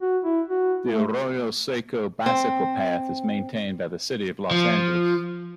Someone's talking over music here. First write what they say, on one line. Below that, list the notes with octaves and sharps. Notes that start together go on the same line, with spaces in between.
The Arroyo Seco Bicycle Path is maintained by City of Los Angeles.
F#4
E4
F#4
A3
C4
F3